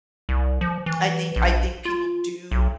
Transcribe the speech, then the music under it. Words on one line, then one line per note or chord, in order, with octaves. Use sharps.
I think I think people do
C2
F3
E3
A#1
F4
B1